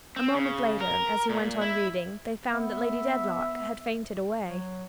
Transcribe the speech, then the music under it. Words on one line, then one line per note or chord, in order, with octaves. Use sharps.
A moment later, as he went on reading, they found that Lady Dedlock had fainted away.
C4
C#3
A#4
A#2
E4
B3 E5
F#3